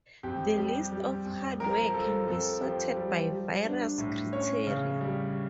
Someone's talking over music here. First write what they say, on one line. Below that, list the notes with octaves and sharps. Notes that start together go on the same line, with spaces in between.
The list of hardware can be sorted by various criteria.
F2 G4
G3 G4
G3
F2
F3 A#4
F3 A4
F2 A4
F3 G4
G3
G3
D4
A2
C#4 C#5
C#3
G3